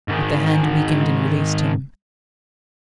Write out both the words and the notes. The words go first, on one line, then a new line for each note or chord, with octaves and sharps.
But the hand weakened and released him.
G#2 D#3